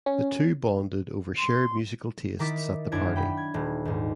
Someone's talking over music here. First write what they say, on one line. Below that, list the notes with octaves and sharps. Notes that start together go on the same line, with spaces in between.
The two bonded over shared musical tastes at the party.
C#4
C6
D#3 D#4 E4 D6 A6 B6
F#2 D4 E4 G#6 D7
G5 B5
G#6
D#1
D#2 G#2